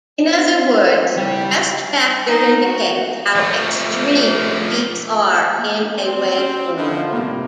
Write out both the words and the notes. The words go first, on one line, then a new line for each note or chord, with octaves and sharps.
In other words, crest factor indicates how extreme the peaks are in a waveform.
C4
C#2 G3 E4 C#5 G5
D#4 A#4
F#4
F3 A3
A#3
C4
C#4
D3 F3 D4 E4 F4
A2 C3 G3 A#3